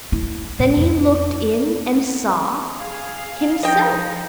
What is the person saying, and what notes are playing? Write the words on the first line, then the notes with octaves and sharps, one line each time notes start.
Then he looked in and saw--himself.
E4
A2
F2
G#4 F5
F3 D#4 D#5 G5